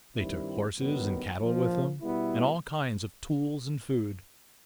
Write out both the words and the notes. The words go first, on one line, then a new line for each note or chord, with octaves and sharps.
They took horses and cattle with them, and all kinds of tools and food.
G2 D#3 G3 C4 E4
A1 G2 D#3 F#3 B3
A#1 A#2 F3
B2 G3 B3 E4